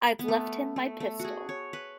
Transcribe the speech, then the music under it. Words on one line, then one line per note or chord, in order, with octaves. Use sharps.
I've left him my pistol.
B3
A3
A3
A3
F#4 G#4
C#5
B4